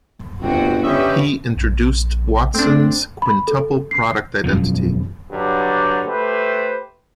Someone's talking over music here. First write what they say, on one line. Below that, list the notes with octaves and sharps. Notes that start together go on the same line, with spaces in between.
He introduced Watson's quintuple product identity.
G1 D2 C3 F#4 G5
D3 C#4 G4 B4 D#5 E5
A#1
A3 C4 D4
B5
A4
C7
E1 F#2 B2 F3
G2 D3 F#3 G3
A3 G4 B4 C5